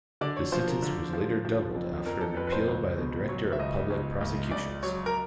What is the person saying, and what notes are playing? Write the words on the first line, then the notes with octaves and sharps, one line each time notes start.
The sentence was later doubled after an appeal by the Director of Public Prosecutions.
D3 D5
C#5
F3 C5
A#4
D3
F3
F3
F2
F2 A#4
A4
F2 B4
B4
C5
C#2
B2
F#3 C#5
E5
C#2 D#5
C#2
C#2
C#2 D5
F#3 C#5
A#4